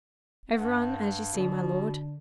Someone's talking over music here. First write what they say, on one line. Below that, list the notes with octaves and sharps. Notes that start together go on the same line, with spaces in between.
"Everyone, as you see, my lord."
G2 F#5
B2 D3 D4